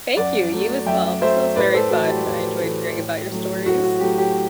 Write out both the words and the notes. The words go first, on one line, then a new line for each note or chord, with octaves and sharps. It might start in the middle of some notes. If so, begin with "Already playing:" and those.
Thank you, you as well, this was very fun, I enjoyed hearing about your stories.
F#2 D5 F#5
F#3 A3
F#2 E5 G5
F#3 A3 C5 E5
A2 B4 D5
A4 C5
E3 A3 F#4 A4
G4
A2
E3 A3
A2
F#3 A3
A2 F#4
F#4
F#3 A3 G4
G4